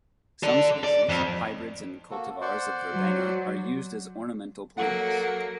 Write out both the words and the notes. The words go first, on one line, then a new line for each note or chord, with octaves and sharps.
Some species, hybrids and cultivars of verbena are used as ornamental plants.
A4 D5
D5
F2
A#3 F#4 A4
C5 D5 F#5
F#3
F#3 A#3 A4 F#5